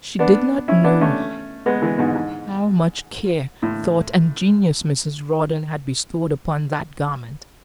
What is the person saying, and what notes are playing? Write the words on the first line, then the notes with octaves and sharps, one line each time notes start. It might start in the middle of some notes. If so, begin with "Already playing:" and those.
She did not know how much care, thought, and genius Mrs. Rawdon had bestowed upon that garment.
B3 D4
C#4 E4
B3 D4
A3 C#4
G#3 B3
E3 G#3
G#2 B2
G#2
A2